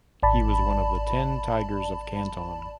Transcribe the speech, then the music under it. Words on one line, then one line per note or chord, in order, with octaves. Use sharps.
He was one of the Ten Tigers of Canton.
G#1 D5 A5 B5